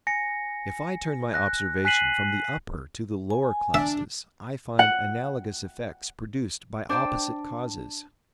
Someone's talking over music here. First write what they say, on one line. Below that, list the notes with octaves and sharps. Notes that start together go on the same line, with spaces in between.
If I turn my observation from the upper to the lower classes, I find analogous effects produced by opposite causes.
G#5 A#6 C#7
F#6 A#6
G#5 F#6 B6 C7 D#7 F#7
G#5
D4 E5
F#5
D4 C5 C#5 G5 A5